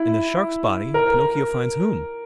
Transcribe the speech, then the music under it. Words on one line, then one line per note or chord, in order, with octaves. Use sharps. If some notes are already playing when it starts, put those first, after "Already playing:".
In the Shark's body Pinocchio finds whom?
Already playing: E4
A#4